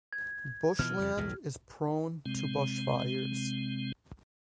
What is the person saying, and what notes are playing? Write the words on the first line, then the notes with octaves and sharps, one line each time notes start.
Bushland is prone to bushfires.
G#6
B2 E3 F3 F6
F2 C#3
B1 E2 A2
C3 G#3 C4